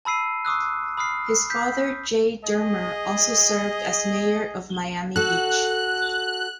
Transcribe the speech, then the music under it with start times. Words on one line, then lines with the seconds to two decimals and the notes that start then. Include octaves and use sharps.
His father Jay Dermer also served as mayor of Miami Beach.
0.05 A5 B5 E6 C7 D#7
0.45 C#6 D#6 E6 F#6
0.97 B5 D#6 F6 C7
1.50 G6 B6
2.44 G#4 D#5
5.16 F#4 A4 F#6